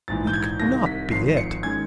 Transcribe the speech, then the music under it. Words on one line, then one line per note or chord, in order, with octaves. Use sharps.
That could not be it.
A#1 G#2 E3 A6
G6
G#6
C2 C3 D#3 A#6
B6
G#1 G#2 F3 C7
C#7
D#3 G#3 C#4 G#6